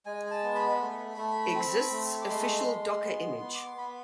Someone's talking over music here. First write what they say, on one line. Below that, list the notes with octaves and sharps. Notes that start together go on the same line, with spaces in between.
Exists official Docker image.
G#3 G#5
G#5
A5
B3
B5
A3
A3
C4
A3
D6
G#3 C6
G#3
B3
B3
D6
C6
B3 B5